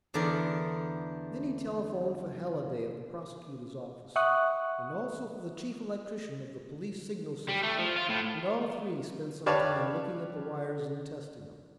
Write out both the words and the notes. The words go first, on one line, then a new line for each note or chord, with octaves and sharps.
Then he telephoned for Haliday of the prosecutor's office, and also for the chief electrician of the police signal system, and all three spent some time looking at the wires and testing them.
E2 D3 B3 A#4 D5
E5 F#5 C#6 D#6 F#6
G3
A3
F3
F4
A2
G4 B4 C#5 D5 F5 A5